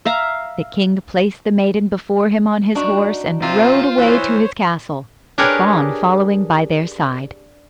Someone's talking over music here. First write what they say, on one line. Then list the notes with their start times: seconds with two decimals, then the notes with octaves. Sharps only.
The king placed the maiden before him on his horse and rode away to his castle, the fawn following by their side.
0.05 E5 F5 A#5
2.75 D4 D#4 F#4
3.42 C3 F4 C5
3.97 E3 C5 C#5
5.38 D4 G4 G#4 A#4 B4 C#5